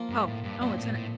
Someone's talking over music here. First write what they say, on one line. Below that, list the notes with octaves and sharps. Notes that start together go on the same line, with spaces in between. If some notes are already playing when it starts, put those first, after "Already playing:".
Oh, oh, it's an
Already playing: F3 A#3 F4
G2
A2
G2
G2 A#2 F3 C4
A2
A2